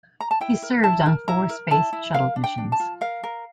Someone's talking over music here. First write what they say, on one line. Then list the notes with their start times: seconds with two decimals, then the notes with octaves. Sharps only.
He served on four Space Shuttle missions.
0.21 A#5
0.31 A5
0.41 E4 G5
0.62 A#4
0.84 E4 A5
1.06 A#4
1.28 E4 A#5
1.49 A#4
1.71 E4 A5
1.93 E4
2.14 A#4 F5
2.36 D4
2.44 G5
2.58 D4
2.72 A5
2.80 F4
3.01 A#4 F5
3.23 A#4